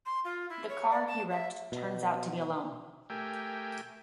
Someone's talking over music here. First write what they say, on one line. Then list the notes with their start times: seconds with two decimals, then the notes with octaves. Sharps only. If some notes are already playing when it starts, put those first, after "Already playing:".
The car he wrecked turns out to be a loan.
0.06 C6
0.24 F4
0.49 E4
0.69 C#5
0.90 D5
1.08 A5
1.30 E5
1.72 B2
3.10 A3 G4 A#4 E5 G5 G#5